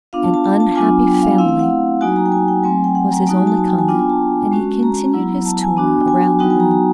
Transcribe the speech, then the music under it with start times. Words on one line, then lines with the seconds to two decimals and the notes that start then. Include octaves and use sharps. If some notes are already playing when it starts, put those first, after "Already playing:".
"An unhappy family!" was his only comment, and he continued his tour around the room.
0.13 B3 D4 F4 F5
0.23 A5
0.34 A5
0.44 A5
0.60 A5
0.75 F#3 B3 D4 F4 G#5
1.07 G5
1.22 F5
1.38 A3 C4 E4 F5
1.48 F5
1.59 F#5
2.01 F#3 A#3 D#4 F#4 G#5
2.16 A#5
2.26 G5
2.32 G#5
2.48 G5
2.64 F#3 A3 C4 G#5
2.84 G5
2.95 F#5
3.11 A#5
3.26 F#3 A#3 D#4 F#4 A5
3.36 G#5
3.47 A5
3.57 A5
3.68 G5
3.79 G#5
3.88 B3 D4 F4 G5
3.99 G#5
4.10 A5
4.51 G#3 C#4 F#4
4.83 A#5
5.14 F#3 B3 E4
5.45 A5
5.61 G#5
5.77 B3 D4 F#4
6.01 G5
6.08 G#5
6.24 G#5
6.39 F#3 B3 D#4 F#4 G5
6.50 G#5
6.60 A#5
6.71 A#5